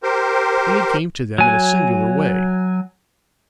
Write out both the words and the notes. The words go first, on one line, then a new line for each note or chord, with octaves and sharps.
Aid came to them in a singular way.
G4 A#4 C5
F#3 G#5